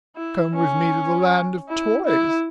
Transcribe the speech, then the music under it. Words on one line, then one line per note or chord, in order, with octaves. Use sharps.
Come with me to the Land of Toys.
E4
C#4
E4
E4